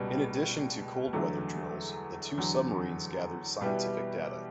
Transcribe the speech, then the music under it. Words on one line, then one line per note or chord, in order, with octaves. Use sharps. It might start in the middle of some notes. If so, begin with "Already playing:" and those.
In addition to cold-weather drills, the two submarines gathered scientific data.
Already playing: C#2 B2 G3
E2 D3 F#3 A3
E2 D3 F#3
B2 G3 B3 E4 G4